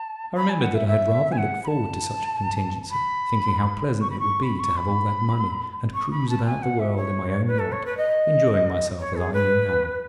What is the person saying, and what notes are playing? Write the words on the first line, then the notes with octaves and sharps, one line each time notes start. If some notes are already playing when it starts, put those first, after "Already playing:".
I remembered that I had rather looked forward to such a contingency, thinking how pleasant it would be to have all that money, and cruise about the world in my own yacht, enjoying myself as I knew how.
Already playing: A5
B5
G#5
F#5
E5
E5
G#5
F#5
B5
A5
B5
C#6
B5
C#6
B5
C#6
B5
C#6
B5
A5
G#5
F#5
E5
C#5
B4
A4
C#5
B4
D#5
C#5
G#4
B4